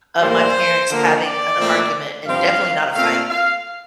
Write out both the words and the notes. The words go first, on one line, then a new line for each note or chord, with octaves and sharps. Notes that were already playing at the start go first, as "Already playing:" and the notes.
of my parents having an argument, and definitely not a fight.
A2 G3 A#3 C5
D3 F3 A#3
D5
A#2 F3 A3 C4
G2 F3 C4 F5
A#2 A3 C4 F5
F5